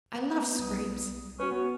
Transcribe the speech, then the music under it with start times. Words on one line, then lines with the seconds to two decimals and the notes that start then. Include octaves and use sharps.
I love scrapes.
0.16 B3
0.59 B1 G3 D#6
1.40 C#4 F#4 B4
1.51 B3 C#5